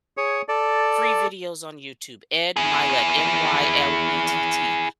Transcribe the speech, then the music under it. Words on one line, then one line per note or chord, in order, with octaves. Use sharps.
free videos on YouTube. Ed Mylett. M-Y-L-E-T-T.
G#4 C#5
A4 D5
E4 G#4